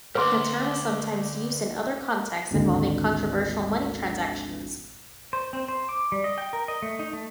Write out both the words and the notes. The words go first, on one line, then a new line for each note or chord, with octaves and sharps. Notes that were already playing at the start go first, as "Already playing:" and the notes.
The term is sometimes used in other contexts involving controversial money transactions.
D2 G#2 B4 F#5 C6 D6 D#6
G#1 D2
C5
C4
C5
D6
G3
D#5
G5
A#4
D#5
A3
D#4
A3